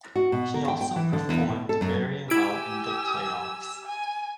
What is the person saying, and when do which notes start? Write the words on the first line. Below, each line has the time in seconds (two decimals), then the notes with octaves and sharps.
He also performed very well in the playoffs.
0.15 F#4
0.32 B2
0.54 A#4
0.68 G5
0.81 G5
0.96 E3
1.13 D3
1.29 E2
1.49 B2
1.69 A4
1.81 F#2
2.30 E4 G4 G#5 E6 G#6 D7
3.86 G#5